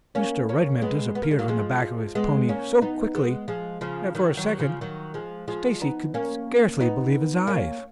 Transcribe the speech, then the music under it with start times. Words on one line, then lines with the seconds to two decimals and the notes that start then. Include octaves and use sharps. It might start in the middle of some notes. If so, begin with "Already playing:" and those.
Mr. Redman disappeared from the back of his pony so quickly that, for a second, Stacy could scarcely believe his eyes.
0.15 A#3 C#4
0.49 A#3 C#4
0.82 G#3 B3
1.15 B3
1.23 A#3
1.31 G#3
1.39 F#3 A#3
1.48 F3 G#3
2.15 G#3 B3
2.49 A#3 C#4
2.81 B3 D#4
3.15 G#3 B3
3.48 F3 G#3
3.81 C#3 F3
4.15 D#3 F#3
4.37 D#3 F#3
4.59 C#3 F3
4.81 D#3 F#3
5.14 F3 G#3
5.48 F3 G#3
5.81 B3 D#4
6.14 A#3 C#4
6.80 B3 D#4
7.47 A#3 C#4